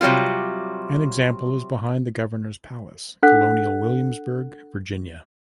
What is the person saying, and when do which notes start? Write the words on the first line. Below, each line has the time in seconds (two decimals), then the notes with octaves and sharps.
An example is behind the Governor's Palace, Colonial Williamsburg, Virginia.
0.01 C3 F#3 G3 A#3 F4
3.23 D4 A4 F#5 F#6 B6